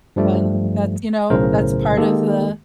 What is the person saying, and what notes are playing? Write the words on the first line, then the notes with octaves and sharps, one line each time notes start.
and that's you know, that's part of the
G2 F3 G3 A3
B1 A2 C#3 A#4 C5
D#3 G#3 A#3 G4 A4